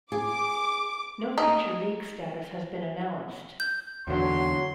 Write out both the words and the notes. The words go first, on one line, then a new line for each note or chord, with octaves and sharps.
No future league status has been announced.
G#4 D6
D#4
G6
E2 D3 F#3 C6